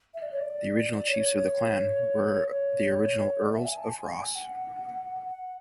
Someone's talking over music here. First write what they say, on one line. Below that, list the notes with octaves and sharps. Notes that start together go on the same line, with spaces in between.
The original chiefs of the clan were the original Earls of Ross.
E5
D5
C#5
D5
C#5
C#5
D5
E5
G#5
A5
G#5
F#5
F#5